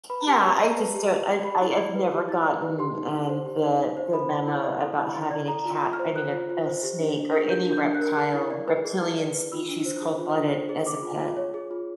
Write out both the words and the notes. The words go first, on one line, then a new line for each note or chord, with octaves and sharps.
Yeah, I just don't I d I have never gotten, um, the the memo about having a cat I mean, a a snake or any reptile reptilian species, cold-blooded, as a pet.
B4 B5
A#5
G4
A5
G4 A#5
D5
B4
G4
G4
D5
G4 B5
E4
D5
B4
G4
E4
D5
B4
G4 C6
D#4
D#4
C5
G4
D#4
D#4
C5
A4 B5
E4
E4
D5
A4
E4
E4
D5
A4 A#5
F4
F4
F6
C5
A4 F#6
F4
F4
C5
G4
D4
D4
A#4
G4 G6
D4
G6
D4
F#6
A#4
F#6
G#4 F6
E4
D5
B4
G#4
E4
D5
B4
F4 E6
D4
C5
G#4
F4
D4
C5
G#4
G#4 D6
F4
F4
C#5
G#4
F4